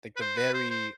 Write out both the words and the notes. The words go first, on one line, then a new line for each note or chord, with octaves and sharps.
like, the very
B4
C5
B4
C5
C5